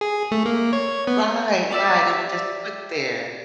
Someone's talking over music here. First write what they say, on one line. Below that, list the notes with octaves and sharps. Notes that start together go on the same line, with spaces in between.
Right, right, it was just put there.
G#4
A3
A#3
C#5
B3
G4 D5 E5